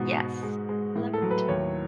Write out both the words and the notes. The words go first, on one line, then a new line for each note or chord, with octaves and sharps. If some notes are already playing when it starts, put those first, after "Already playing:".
yes, love it.
Already playing: G#2 B2 F#4
G#2
G#3
G#3
A2
A4
F#3
B4
D#2 C#5